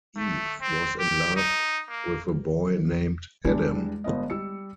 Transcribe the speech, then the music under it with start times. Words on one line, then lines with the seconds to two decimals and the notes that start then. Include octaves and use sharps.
Eve was in love with a boy named Adam.
0.17 A3
0.61 C4
0.99 G4
1.36 D#4
1.89 A#3
3.45 E2 G3 G#3 D4
4.04 G1 B3 D#5
4.30 G3 E6 C#7